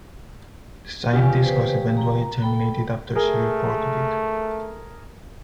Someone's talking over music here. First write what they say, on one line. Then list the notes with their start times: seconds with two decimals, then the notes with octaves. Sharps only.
The scientist was eventually terminated after she reported it.
1.13 E2 C#3 F4 G4
1.42 B4 C5
1.97 A#5
2.42 A4 G5 B5
3.15 A3 G#4 A#4